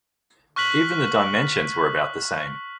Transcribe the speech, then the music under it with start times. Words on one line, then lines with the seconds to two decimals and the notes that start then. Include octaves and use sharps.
Even the dimensions were about the same.
0.56 C#6 F6 F#6 B6 F#7